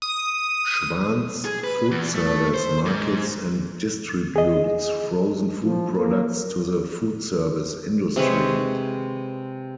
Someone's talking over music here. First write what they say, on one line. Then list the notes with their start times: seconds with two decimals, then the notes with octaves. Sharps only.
Schwan's Food Service markets and distributes frozen-food products to the food service industry.
0.02 D#6
1.45 G#4
1.64 B4
1.91 E2
2.15 A3
2.54 C5
2.86 G#2
4.36 G#4 D#5
5.63 F3
5.96 A#3
8.16 C3 G#3 B4 C#5